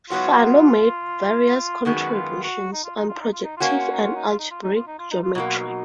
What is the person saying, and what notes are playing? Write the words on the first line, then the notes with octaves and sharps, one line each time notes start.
Fano made various contributions on projective and algebraic geometry.
G#2 F#3 B3 F4 F#4 C#5
F#2 D#3 G#3 B3 F#4
F4
F#4
D#4
F4
D#4
F4
D#4
F4
D#4
A#3 C#4 F4 F#4
D#4
F4
D#4
F4
D#4
F4
D#4
F4
D#4
F4
D#4
F4
D#4
F4
B2 F#3 A#3 D#4
F4
D#4